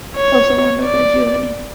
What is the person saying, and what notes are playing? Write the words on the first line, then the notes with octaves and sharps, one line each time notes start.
Also one daughter, Giovani.
C#5
D5